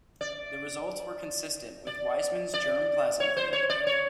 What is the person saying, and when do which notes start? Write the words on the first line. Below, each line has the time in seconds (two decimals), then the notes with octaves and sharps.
The results were consistent with Weismann's germ plasm theory.
0.21 D5
1.87 D5
2.54 D5
3.20 C#5
3.37 C5
3.53 C#5
3.70 D5
3.87 C#5